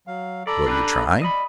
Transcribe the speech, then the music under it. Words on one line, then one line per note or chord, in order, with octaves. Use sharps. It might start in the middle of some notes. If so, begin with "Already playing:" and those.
"Will you try?"
F#3 F5
A4 D5 A#5 B5
D4 G4 B4
D5 D#5 B5